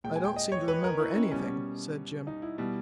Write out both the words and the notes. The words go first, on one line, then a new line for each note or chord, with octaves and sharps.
"I don't seem to remember anything," said Jim.
A#2 G#3 G5
G#5
G5
D#5
C#5
B4
A#4
E4
C#4
B2 G3 C#4
C#4
D#4
E4
B2 G3